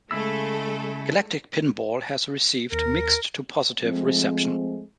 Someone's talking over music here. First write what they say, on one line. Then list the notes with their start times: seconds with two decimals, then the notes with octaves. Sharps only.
"Galactic Pinball" has received mixed to positive reception.
0.11 C#3 G#3 A3 E4 A4 E6
2.72 D#2 A#4
3.81 F3 G#3 A3 C4